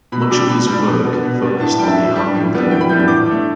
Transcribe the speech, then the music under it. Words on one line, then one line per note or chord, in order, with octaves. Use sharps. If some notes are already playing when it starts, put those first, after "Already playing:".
Much of his work focused on the Army of the Roman Empire.
B2 B5
E6
G3 D4 D6
B2 B5
G3 D4 B5
B2
B3 D4
B2
B3 D4
A2 A5
A5
G3 G5
D4 E5
A2
G3 D4
A2
E3 G3 B3 D4
A2 G5
B5
E3 G3 B3 D4 G6
G6
A2 D6
A3 D4